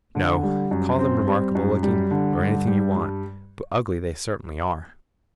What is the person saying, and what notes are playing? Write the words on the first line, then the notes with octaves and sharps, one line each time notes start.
"No! Call them remarkable-looking or anything you want--but ugly they certainly are."
D3
G3
F#2
C4
G3
F#2
G3
D3
G2
G3
G2